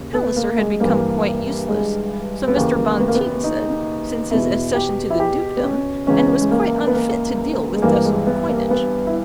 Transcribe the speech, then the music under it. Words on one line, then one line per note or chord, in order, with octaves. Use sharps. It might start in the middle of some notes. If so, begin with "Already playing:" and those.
Palliser had become quite useless,--so Mr. Bonteen said,--since his accession to the dukedom, and was quite unfit to deal with decimal coinage.
Already playing: D#2 C#3
B3
A#3
G#3
G2 E3 A#3
G#3
B3
D#2 C#3 E3 A#3
B3
A#3
B3
D#4
E2 B2 E4
G4
E4
G4
B3
C#4
C#2 C#3 E3 C#4
G#3
A#3
B3
A#3
G#3
G2 E3 A#3
G#3
B3
A#3
B3
E4